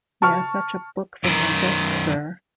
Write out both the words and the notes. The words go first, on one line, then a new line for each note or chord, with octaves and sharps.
May I fetch a book from my desk, sir?
A5 C#6 F6
F#2 D#3